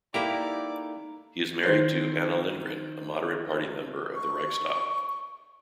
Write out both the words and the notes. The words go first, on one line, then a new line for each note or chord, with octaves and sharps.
He is married to Anna Lindgren, a Moderate Party member of the Riksdag.
A#3 D#4 E4 G4 A4 D5 A#5
D#3 C5 C7
C#6